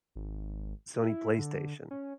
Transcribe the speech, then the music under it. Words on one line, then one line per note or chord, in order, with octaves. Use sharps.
Sony PlayStation,
G#1
E4
D3
C#4